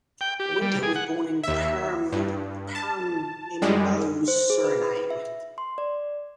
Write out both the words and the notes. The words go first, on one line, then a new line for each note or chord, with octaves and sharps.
Winter was born in Paramaribo, Suriname.
G5
G4
G3
G#4
F#5
D#2 E5
G2
A5
F#2 G3 G#3
C5
G#4
B4
E5
C6
D5